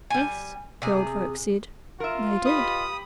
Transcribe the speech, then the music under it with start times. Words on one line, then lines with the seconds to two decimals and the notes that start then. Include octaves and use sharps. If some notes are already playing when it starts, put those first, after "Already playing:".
Yes, the old folk said, they did.
0.10 G3 G#5
0.82 C3 G#4
2.00 F4 A#4 E5
2.45 G4 B4 D#5 B5 D#6